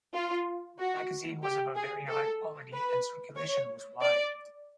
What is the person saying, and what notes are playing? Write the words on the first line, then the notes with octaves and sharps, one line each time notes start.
The magazine was of a very high quality and circulation was wide.
F4
F#4
G4
G#4
A4
B4
C#5
D5